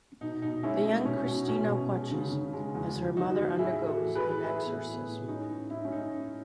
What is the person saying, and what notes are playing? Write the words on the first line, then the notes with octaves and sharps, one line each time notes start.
A young Cristina watches as her mother undergoes an exorcism.
B2 D#4
B2 D#4
G#3 C#4 E4
C#4 D#4
B2 C#4
B2
B2 C#4
B2
G#3
C#3
C#3
G#3
E2
E2
E2 D#4 F#4
E2
A2 E4 G#4
E3
F#4 A4
A2
G#4 B4
E3
A2 E4 G#4
B3
A2
A2
C#4 D#4
A2
A2 E4
D#4
C#4
A2 D#4
A2